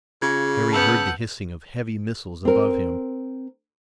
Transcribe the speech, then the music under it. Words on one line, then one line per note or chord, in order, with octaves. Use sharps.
Harry heard the hissing of heavy missiles above him.
C#3 F4 G#4 G#6
B3 F#5 A5 E6 G6
C4 A#4